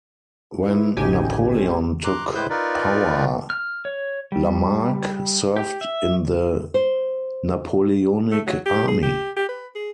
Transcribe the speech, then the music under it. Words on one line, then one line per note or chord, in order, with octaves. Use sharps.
When Napoleon took power, Lamarque served in the Napoleonic army.
E4 B4
D1 A1 C#3 F#3 D#4 G4 G#5
C4
A#5 C6 D6 F#6
A2 G#3 E4 B4 C5 G6
D#4 F4 A#4 B4 D5
F6
C#5
G3
G4
E5
C5
A3
F#3
G4
G#4
G4
G4
B4
G#4